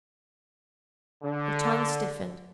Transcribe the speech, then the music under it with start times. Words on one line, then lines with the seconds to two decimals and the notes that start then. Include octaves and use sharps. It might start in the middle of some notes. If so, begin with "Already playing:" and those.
Her tongue stiffened.
1.23 D3